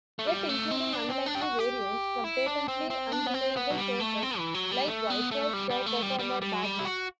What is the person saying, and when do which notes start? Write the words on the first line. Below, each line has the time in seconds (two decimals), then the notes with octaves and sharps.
Yet including unlikely variants from patently unreliable sources likewise serves the performer badly.
0.19 A3
0.27 G3
0.49 A3
0.71 C4
0.93 D4
1.09 C4
1.26 D4
1.35 G4
1.42 F#4
1.59 G4
2.24 E4
2.46 D4
2.68 C4
2.90 C4
3.12 D4
3.27 B3
3.34 C4
3.56 B3
3.70 F#3
3.78 G3
4.00 A3
4.22 C4
4.38 E3
4.54 F#3
4.71 G3
4.88 A3
5.10 B3
5.31 A3
5.53 G3
5.70 G3
5.86 A3
6.02 G3
6.19 G3
6.42 G3
6.53 F#3
6.64 G3
6.79 E4
6.85 F#4